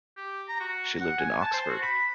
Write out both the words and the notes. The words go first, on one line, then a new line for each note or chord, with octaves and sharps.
She lived in Oxford.
G4
A#5
F#4
F#5
G#5
A5
C5
F#4
B5